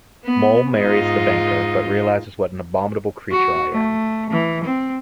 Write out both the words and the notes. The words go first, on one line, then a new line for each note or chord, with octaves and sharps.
Moll marries the banker, but realizes what an abominable creature I am!
B3
G#2 D#4 F4
F#4
A3
E3
C4